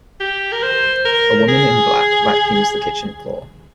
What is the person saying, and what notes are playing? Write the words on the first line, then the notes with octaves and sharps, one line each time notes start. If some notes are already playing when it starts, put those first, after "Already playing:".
A woman in black vacuums the kitchen floor.
G4
A#4
C5
A#4
G#4